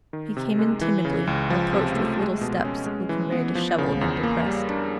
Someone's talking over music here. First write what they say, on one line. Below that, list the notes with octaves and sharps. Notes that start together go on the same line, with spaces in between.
He came in timidly, approached with little steps, looking very disheveled and depressed.
D#3
C3
G#3
E3
C#3
C#2
F3
C3
A3
G#3
B2
C#4
G#3
E3
B3
F3
C#3
E2
A#3
G3
D4